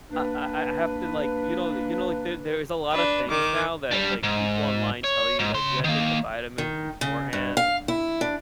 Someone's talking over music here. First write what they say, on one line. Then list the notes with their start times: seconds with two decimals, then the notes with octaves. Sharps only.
I I I have to, like, you know the you know, like there there's a lotta things now that, like, people online tell you, like, you had to take the vitamins beforehand.
0.11 A#3 D4 B4
2.92 D4 B4
3.29 D#3 D6
3.91 G3 D4
4.23 G#2
5.04 C#5
5.39 G#2
5.54 C#3 C6
5.84 D#3 A#3
6.58 D#3
7.01 C#3
7.33 G2
7.57 F5
7.88 E4
8.21 D4